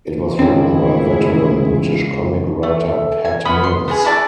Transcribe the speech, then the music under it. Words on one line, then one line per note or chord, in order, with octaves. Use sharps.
It was written by veteran British comic writer Pat Mills.
C#2 A2 D#3 C4 C#4 E4 G#4
A3
G#5
B3 F4 F#5 B5
C6
B3 F4 G#4
E4 F#4 D5 A5